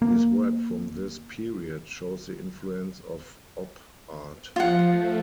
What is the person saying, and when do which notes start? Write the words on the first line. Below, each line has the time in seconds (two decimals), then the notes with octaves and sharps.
His work from this period shows the influence of Op Art.
0.02 A#3
4.56 F3 F4 F#5
4.88 A3